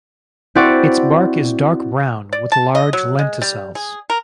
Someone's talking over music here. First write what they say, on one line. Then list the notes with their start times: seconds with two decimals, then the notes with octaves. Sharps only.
Its bark is dark brown with large lenticels.
0.55 C4 E4 F#4 D5
2.33 D5
2.52 A5
2.75 D#5
2.93 F#3
3.19 G#3
3.42 G3
3.75 G#4
4.10 A#4